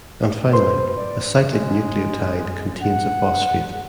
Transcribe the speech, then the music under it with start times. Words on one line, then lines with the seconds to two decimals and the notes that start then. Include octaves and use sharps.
And finally, a cyclic nucleotide contains a phosphate.
0.53 B4 C5 C6
0.97 D5
1.53 G#3
2.82 F#5